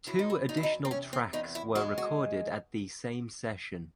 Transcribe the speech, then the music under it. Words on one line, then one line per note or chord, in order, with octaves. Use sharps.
Two additional tracks were recorded at the same session.
F#3 E4
D#4
E4
E2 D#4
E4
D#4
C4
C3 C#4
C4
E2 D#4
E4
G#3 F#4
F#4